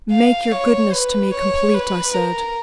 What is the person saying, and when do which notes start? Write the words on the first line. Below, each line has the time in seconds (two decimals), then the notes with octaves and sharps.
"Make your goodness to me complete," I said.
0.12 F5
0.52 C#5
0.93 B4
1.34 C#5
1.74 B4
2.14 A#4